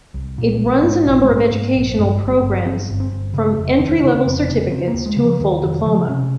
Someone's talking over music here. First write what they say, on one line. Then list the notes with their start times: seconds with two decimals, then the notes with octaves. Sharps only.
It runs a number of educational programmes, from entry-level certificates to a full diploma.
0.14 C2
0.38 A#2
0.61 A#1
0.83 G#2
1.06 A#1
1.24 G#3
1.29 G#2 A#3
1.52 G#2
1.74 A#1
1.98 G2
2.21 G1
2.42 G1
2.66 G1 C4
2.89 G1
3.00 C4
3.12 G1
3.34 C#3
3.57 F1
3.79 D#2
4.03 C#3
4.26 F1
4.49 C#3
4.71 C#3 C4
4.88 A#3
4.94 D#2
5.06 G#3
5.16 C#3
5.23 F3
5.40 D#2 D#3
5.62 F1 D#3
5.85 C#3 F3
6.09 C3 C#4